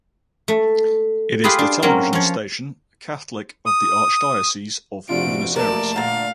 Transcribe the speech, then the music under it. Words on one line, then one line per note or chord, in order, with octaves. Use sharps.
It is the television station Catholic of the Archdiocese of Buenos Aires.
A3
F4 G4 G#4 B4
D4
F#3 A#3 C4 C#4
F3 C#5
D#6
F1 C3 D4 F4 F#4 D7
A3 A#3 A#4 D5 A5
A#2 D3 F5 F#5 A#5 A6